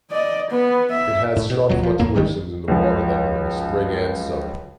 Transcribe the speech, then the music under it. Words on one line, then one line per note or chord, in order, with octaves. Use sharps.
It has sharp fluctuations in the water level in the spring and summer.
D5 D#5
B3
E5
A2
B2
D1 A#2 F#3
F3
E2 A2 A#3
G#1 G#2 D#3 G3
C#2 F#2 F3